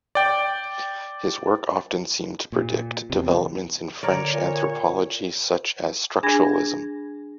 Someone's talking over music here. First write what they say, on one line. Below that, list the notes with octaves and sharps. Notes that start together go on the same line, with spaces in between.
His work often seemed to predict developments in French anthropology, such as structuralism.
D5 G5
A#2
E2 C3
D3 A#4 C#5 D5
A#2
D4 G#4 G#5 B5 G#6 A#6